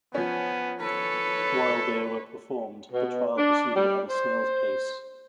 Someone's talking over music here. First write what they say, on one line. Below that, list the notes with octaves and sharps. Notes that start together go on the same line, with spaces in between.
While they were performed, the trial proceeded at a snail's pace.
F3 B3 C#4 G#5
A4 B4 C#5
B2
D4
G3
C5